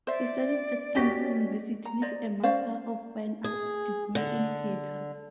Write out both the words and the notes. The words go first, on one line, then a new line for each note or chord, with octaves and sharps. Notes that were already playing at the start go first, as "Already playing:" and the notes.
He studied at Temple University with a Master of Fine Arts degree in theatre.
C5 D5 E5
C#4 F#4 G4 D#5 B6
A#5
C5 D5 D#5
C#4 C5 D5 F5
G#4
D3